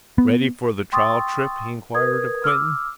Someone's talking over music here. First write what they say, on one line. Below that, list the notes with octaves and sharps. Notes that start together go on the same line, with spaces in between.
"Ready for the trial trip?" he enquired of Quinton.
B3
G5 C6 C#6 D#6 E6 A6
A#4 B4 D#6 G#6
D6 E6 F6